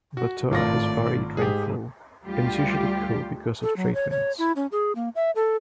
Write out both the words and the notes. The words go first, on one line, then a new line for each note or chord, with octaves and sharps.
Vatoa has varied rainfall and is usually cool because of trade winds.
F#4
G#1 A2 F4 D5 A#6
G#2 G4 G#4
D2 G3 F4 G4
A4
F#3
C#5
C#5
E4
C#4
G#4
A#3
E5
A4